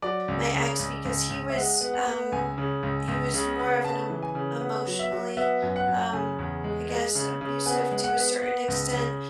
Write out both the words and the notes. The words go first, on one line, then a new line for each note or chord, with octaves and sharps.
my ex because he was, um he was more of an em emotionally, um, I guess, abusive- to a certain extent-
F#3 D5
C#2
C#3
C#2
C#2
C#2
E5
G#3 F#5
B3
F#5
B3
C#2 G#5
C#3
C#2
C#2
C#3
B3
C#3 A5
E3
G#5
C#3
B3
F#3
E5
F#3
B3 E5
F#2
F#5
F#2
C#3 G#5
E2
G#3
G#3
C#3
C#3
B3 G#5
G#3
F#5
B3
B3
C#2
C#3